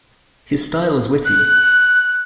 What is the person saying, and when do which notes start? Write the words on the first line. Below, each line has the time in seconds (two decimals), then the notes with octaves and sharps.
His style is witty.
1.25 F#6